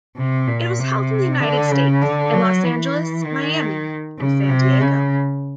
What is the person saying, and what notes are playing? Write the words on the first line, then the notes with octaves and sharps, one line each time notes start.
It was held in the United States, in Los Angeles, Miami, and San Diego.
C3
A#2
C3
D3
C#3
D3
F#3
E3
D#3
C#3
C3
C#3